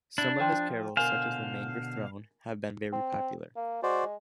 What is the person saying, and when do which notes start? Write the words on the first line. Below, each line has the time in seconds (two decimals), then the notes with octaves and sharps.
Some of his carols, such as "The Manger Throne", have been very popular.
0.18 C3 D4 E4
0.40 F3 C5 G5 C6
0.97 B2 D3 A#4 C5 F5 G#5
2.92 C4
3.56 A#3
3.83 G#3 F#4 C5 D5